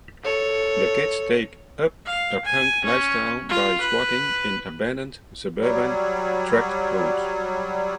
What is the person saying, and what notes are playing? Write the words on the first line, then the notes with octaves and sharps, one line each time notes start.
The kids take up a punk lifestyle by squatting in abandoned suburban tract homes.
A4 C#5
F5
G#5
C#4
F4
B4
F#3 G3